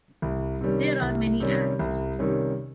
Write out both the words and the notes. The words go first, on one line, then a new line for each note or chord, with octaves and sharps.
There are many ads.
C2
C3 D#3 G3 C#4
C2
C3 D#3 G3 C#4
C2
C3 D#3 G3 C#4